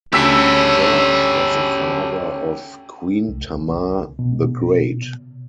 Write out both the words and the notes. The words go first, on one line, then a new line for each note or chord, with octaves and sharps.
George was the father of Queen Tamar the Great.
D2 C#3 G4 A4 E6 B6
C2
B2